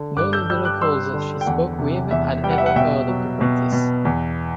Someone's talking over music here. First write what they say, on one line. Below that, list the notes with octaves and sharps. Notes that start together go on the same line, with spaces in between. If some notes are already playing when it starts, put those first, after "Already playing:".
None of the locals she spoke with had ever heard of the practice.
Already playing: D3
G2 D6 F#6
E6 G6
G3 E6 G6
D6 F#6
G3 C6 E6
D3
G5
E2 F#5
C3
E2 E5
G3 G5
F#5
E5
F#5
B2 E5 G5
F#3
B2
B2
E2